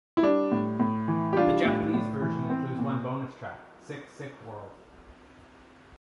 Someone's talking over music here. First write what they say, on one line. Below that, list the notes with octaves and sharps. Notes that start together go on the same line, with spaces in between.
The Japanese version includes one bonus track, "Sick Sick World".
E4
G3 D4
A2
A2
E3
G4
G3 D4 F4
A2
A2
E3
C4
A#2